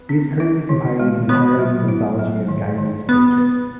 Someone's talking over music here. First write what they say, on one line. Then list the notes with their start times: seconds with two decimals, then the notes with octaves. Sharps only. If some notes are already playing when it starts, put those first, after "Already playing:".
He is currently compiling an entirely new anthology of Guyanese poetry.
Already playing: B3
0.09 C#4
0.40 E4
0.69 D#3
1.00 G#3
1.29 D#3 B3
1.59 F#3
1.88 E4
2.19 F#3
2.48 D#3
2.78 D#3
3.09 B3 B4
3.38 B4